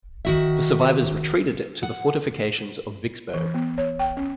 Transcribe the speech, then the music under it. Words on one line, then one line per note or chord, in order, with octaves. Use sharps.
The survivors retreated to the fortifications of Vicksburg.
D#3 F#4 E5
F#5
E3
B3
C#5
G5
C#4